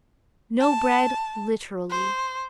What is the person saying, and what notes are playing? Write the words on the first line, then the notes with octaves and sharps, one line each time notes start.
No bread literally.
A5
C5